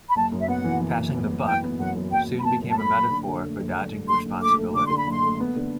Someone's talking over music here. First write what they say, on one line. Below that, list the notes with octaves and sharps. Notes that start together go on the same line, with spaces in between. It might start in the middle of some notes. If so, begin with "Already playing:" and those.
"Passing the buck" soon became a metaphor for dodging responsibility.
B5
F#1 A5
F#2
E5
B3 F#5
E3
E3
F#1
B3
B3
E3 G5
B3
F#2 F#5
F#2
F#1 G5
F#1
B5
B3 A5
F#2
A5
A3 B5
F#1
D3
D3
A3
F#1
F#1
A3
F#1 C6
F#1
A3 D6
A3
D3 D6
D3 C6
B5
F#1 C6
A3
B3
D3